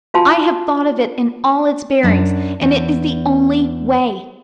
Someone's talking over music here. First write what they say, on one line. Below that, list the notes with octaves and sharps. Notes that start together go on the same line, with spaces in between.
I have thought of it in all its bearings, and it is the only way.
F4 F#4 F5 G#5 A5 C6
F#2 D4
E2